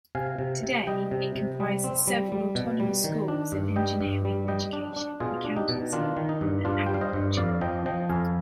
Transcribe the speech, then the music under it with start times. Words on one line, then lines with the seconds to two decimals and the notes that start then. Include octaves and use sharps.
Today, it comprises several autonomous schools in engineering, education, accountancy, and agriculture.
0.15 C3 F5 G#5
0.39 C3
0.63 C3
0.87 G3 D#5 G5
1.11 C3
1.35 C3
1.60 G3
1.84 C4
2.07 G3
2.32 G3
2.55 B2
2.80 G3
3.04 D#3
3.28 D4
3.52 G2
3.76 G3 D#5 G5
4.01 G2
4.25 G3
4.48 G3 D#5 G5
4.73 D4
4.96 D4
5.20 B2 F4 G#4
5.44 D4
5.57 D#4 G4
5.69 B2
5.93 D#3 D4 F4
6.17 D#3
6.29 D#4
6.41 G2
6.65 G2 D4 F4
6.86 G5
6.89 G3
6.94 F5
7.01 C5 D#5
7.13 G2
7.37 F2 D5 F5
7.61 F3 D#5 G5
7.86 F3 D#5 G5
8.09 F2 F5 G#5